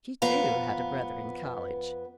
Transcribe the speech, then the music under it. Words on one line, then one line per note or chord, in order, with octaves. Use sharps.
She, too, had a brother in College.
F2 B3 B4 F5 A#5